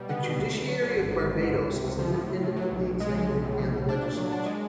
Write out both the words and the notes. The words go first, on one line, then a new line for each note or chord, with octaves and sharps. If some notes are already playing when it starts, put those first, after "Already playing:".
The judiciary of Barbados is independent of the executive and the legislature.
Already playing: B2 G3
B3
B2
D2
D2
F#3
D3
G#1
G#2
G#1
G#2
C#2
C3
C#2
F3
A2
A2
A2
F#3
B1
B1
G#3
B1
B1
A2
B1
A2
D4
A#2
F#3
D4
G#3